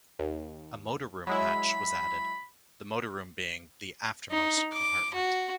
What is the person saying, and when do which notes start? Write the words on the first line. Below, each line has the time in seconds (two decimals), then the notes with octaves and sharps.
A motor room hatch was added, the motor room being the aftermost compartment.
0.19 D#2
1.27 F#3 G#3 E4 B5
4.31 D#4
4.73 D6
5.15 F#4